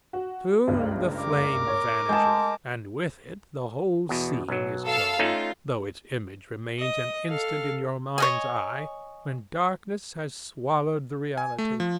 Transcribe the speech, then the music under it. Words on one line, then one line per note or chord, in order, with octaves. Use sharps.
Soon the flame vanishes, and with it the whole scene is gone, though its image remains an instant in your mind's eye when darkness has swallowed the reality.
F#4
F#1 C#2 G2
A#4 D6
C#5
G#3 A5 G6
E2 B2
B1 F#3
A4 F5 E6
A3 C#4 D#4 F4
D#5
A4 F5
C#5 D#5 G#5
G#5
A3
F3